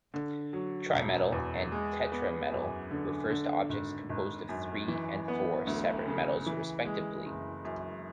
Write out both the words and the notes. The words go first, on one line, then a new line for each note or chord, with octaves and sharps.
Trimetal and tetrametal refer to objects composed of three and four separate metals respectively.
D3
F#3
E1
E2
G#3
B3
F#2
D3
D3
G#1
G#1
F#2
E3
B3
D2
C#3
E3
G#3
F#1
F#2